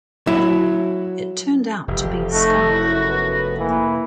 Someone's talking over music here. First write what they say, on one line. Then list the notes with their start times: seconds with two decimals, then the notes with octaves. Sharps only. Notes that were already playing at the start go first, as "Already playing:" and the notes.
It turned out to be a scarf.
0.27 F#3 E4
1.88 F1 G4
2.32 A3 D#4 F#4
2.69 F#2 E4
3.09 A3 B3 B4
3.58 E3 A#3